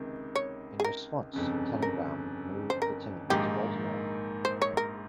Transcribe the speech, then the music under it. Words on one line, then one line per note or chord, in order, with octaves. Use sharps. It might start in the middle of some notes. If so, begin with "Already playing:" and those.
In response, Tanenbaum moved the team to Baltimore.
Already playing: C#2 C3 D#3
C#5
G#4
A#4
G1 F2 C#3
A#4
C5
A#4
A#1 G#2 D#3 A#3 G4
C5
C#5
A#4